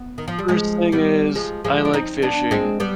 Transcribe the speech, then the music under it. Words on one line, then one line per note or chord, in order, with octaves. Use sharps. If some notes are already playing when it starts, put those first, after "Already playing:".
First thing is I like fishing,
Already playing: B3
D#3
F3
G3
F3 G#3
G3 B3
F3 G#3
F3 G#3
D4
C4 D#4
B3 D4
G#3 C4
G3 B3